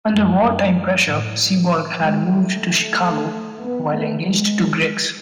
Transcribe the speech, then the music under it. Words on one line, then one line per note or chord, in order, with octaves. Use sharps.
Under wartime pressure, Seaborg had moved to Chicago while engaged to Griggs.
F#2
F#2
A2
G#3
A3
B3
A3
G#3